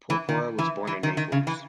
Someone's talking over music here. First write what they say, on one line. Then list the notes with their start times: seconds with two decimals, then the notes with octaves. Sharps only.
Porpora was born in Naples.
0.10 E3
0.29 D#3
0.59 E3
0.87 E3
1.03 D#3
1.17 D#3
1.32 C#3
1.47 E3